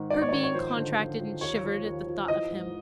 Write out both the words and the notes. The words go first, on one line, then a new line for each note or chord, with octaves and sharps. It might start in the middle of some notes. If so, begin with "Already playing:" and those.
Her being contracted and shivered at the thought of him.
Already playing: G#2 D#3
G#2 D5
C#5
D5
D#3 C#5
C#5
F3 C5
D3
F3
F3
D#2 C#5
F3
D#2
F3
E3 D#5
G#2